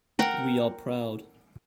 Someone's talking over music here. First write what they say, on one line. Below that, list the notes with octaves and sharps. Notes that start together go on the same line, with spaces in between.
We are proud.
A#4 F#5 G5